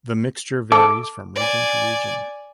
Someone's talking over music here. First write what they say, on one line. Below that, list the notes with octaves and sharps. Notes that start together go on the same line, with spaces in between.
The mixture varies from region to region.
A4 D6
D5 G#5